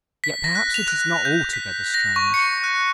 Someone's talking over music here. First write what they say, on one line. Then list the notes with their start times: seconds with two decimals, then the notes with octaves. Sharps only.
Yet, perhaps, it is not altogether strange.
0.24 B6
0.44 A#6
0.55 F#6
0.74 F7
0.88 F#6
1.25 G6
1.53 B6
1.94 A#6
2.16 C#6
2.34 C#7
2.64 F#6